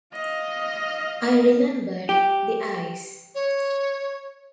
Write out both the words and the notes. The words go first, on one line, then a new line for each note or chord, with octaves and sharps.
I remembered the eyes.
D#5 F5
G4
C#5